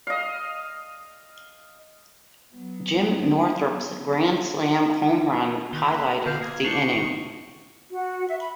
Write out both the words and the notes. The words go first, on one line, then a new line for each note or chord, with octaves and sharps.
Jim Northrup's grand slam home run highlighted the inning.
D#5 F5
F#3 B3
D#3 B4 G7
A#3
D3 F5 G6
A#3 G#4
D4 C#6 C7
D#3
F#4
E5
B5